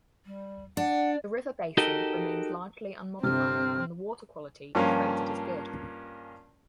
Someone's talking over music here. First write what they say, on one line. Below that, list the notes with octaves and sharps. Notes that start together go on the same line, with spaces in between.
The river basin remains largely unmodified and the water quality is rated as good.
G3
D4 F#5
D#4 F#4 G4 A4 A#4 D#5
G1 C3 C4 F6
G2 F3 A#3 C#4 F4